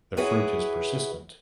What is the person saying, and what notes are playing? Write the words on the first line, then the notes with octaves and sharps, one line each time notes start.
The fruit is persistent.
E4 F#4 G#4 B4 C#5